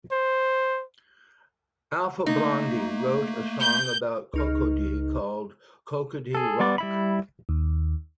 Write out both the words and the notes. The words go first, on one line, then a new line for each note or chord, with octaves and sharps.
Alpha Blondy wrote a song about Cocody, called Cocody Rock.
C5
A3 A#3 D#4
G6
C#2 D#4 F6
G#4 A4
G3 B3 D5
G3 E4 B5
D#2